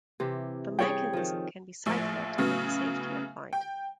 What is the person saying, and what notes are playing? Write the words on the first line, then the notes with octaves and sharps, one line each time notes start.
The mechanism can be cycled with the safety applied.
C3 E3 G4
G3 G#4 C#5 G5
D#3 F3
A#1 A2 F3
A2 C#3 F#3 B3
G5